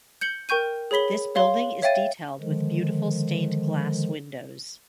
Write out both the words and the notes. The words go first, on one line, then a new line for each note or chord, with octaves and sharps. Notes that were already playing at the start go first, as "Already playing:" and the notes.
This building is detailed with beautiful stained glass windows.
G6 C#7 F#7 G7
A#4 G5 C#6 G6 D#7
G#4 C#5 B5 B6 G7
C#5 F5 C6 G7
C#5 E5 F5 G5 A6 D#7
D3 D#3 F3 G#3